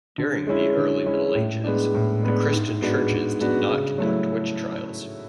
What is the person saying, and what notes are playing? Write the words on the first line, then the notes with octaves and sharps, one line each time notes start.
During the Early Middle Ages, the Christian Churches did not conduct witch trials.
D3
G#3 C#4 E4
D3
G#3 C#4 E4
A2
G#3 B3 D4
A2
G#3 B3 D4
G#2
G#3 B3 D4 F#4
G#2
G#3 B3 D4 F#4
C#3
F#3 A3 E4